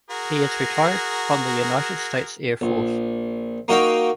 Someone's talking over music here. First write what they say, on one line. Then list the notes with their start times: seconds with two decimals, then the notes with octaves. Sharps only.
He is retired from the United States Air Force.
0.11 F#4 G#4 A#4
2.61 A#1
3.68 A#3 D#4 F#4 D#5 F5 G5